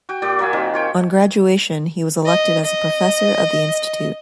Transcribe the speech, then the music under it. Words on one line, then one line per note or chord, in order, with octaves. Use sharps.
On graduation he was elected as a professor of the institute.
F#4 G5
A#2 F#4 D5
F#3 A#3 E5 G#5
D#3 C4 F4
F4 C#5 G5
D#5
D#5